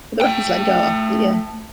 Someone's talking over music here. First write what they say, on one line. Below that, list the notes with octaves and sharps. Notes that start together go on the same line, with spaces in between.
But the Rapids let him go after the year.
A3 G5